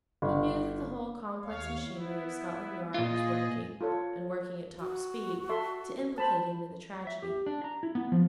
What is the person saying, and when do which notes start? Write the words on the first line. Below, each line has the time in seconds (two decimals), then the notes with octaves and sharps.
He knew that the whole complex machinery of Scotland Yard was working, and working at top speed, to implicate him in the tragedy.
0.22 G1
1.43 D#2 C#5 F5
1.83 B3 E4
2.94 A#2 F4 G#4 D#5
3.81 F4 A4 C#5
4.80 F#4
5.49 A4 E5 C6
6.18 C5 A5 B5
7.07 E5
7.22 G4
7.46 D4
7.64 A#5
7.83 E4
7.95 B3
8.12 F3